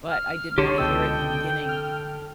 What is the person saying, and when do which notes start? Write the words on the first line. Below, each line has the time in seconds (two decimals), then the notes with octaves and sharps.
but I didn't wanna hear it in the beginning
0.10 F6
0.58 C2 D3 G4 C#5 C6
0.78 C#2 B2 A4 D#5 G5 E6
1.69 F6